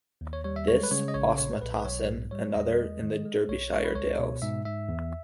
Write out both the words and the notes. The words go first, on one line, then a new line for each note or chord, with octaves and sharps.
This Osmaston and another in the Derbyshire Dales.
D#2
C#5
G3 C#5
E5
G#3 C#5
B4
C#3 C#5
D#5
A#1 C#5
A#2 C#5
B1 B4
B4
B1 C#5
G#2
G3 C#5
E2 D#5
G#3
D#3
G#3
B1 C#5
G#3 C#5
B4
C#2 C#5
B2
G#2 E5
G#2 E5
E2